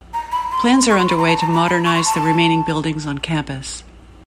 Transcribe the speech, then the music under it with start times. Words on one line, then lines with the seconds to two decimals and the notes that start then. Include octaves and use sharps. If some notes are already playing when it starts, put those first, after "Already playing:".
Plans are underway to modernise the remaining buildings on campus.
0.14 A#5
0.32 B5
0.52 C6
0.90 C#6
0.99 C6
1.09 B5
1.19 A#5
1.28 A5
1.41 A#5
1.53 B5
1.67 B5
1.86 C#6
1.95 C6
2.06 A5